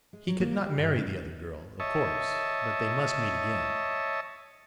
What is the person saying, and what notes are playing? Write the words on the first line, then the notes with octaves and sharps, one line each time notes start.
He could not marry the other girl, of course, but they must meet again.
G#3
F#3
A#3
G4
G2
C#3
C#5 D#5 E5 A5